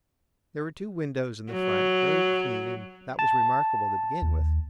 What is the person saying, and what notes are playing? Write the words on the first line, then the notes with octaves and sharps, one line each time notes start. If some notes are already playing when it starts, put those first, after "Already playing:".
There were two windows in the front, very clean, and that was remarkable to begin with.
F#3
A5
D#2